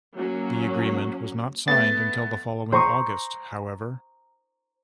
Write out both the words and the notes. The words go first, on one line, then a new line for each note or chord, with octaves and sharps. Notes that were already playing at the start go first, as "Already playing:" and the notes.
The agreement was not signed until the following August, however.
F#3 A#3 C#4
A3 B3 A6
C5 A#5 C#6 D#6